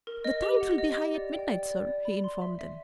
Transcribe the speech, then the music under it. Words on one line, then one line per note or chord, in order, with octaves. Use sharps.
"The tide will be high at midnight, sir," he informed them.
A#4
D#5
G4
F#5
D#5
G4
D5
G5
D5
D5
D5
B5
C6
E5
E5